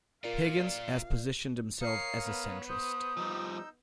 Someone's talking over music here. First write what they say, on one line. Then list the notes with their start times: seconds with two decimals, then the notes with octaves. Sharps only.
Higgins has positioned himself as a centrist.
0.24 A#2 F4 A#4 D5 F5
1.81 A#4 C#5 F5 D#6 C7 C#7
2.25 B3
2.69 C5 D#6 G6
3.17 F3 G3 D#4 E6 G6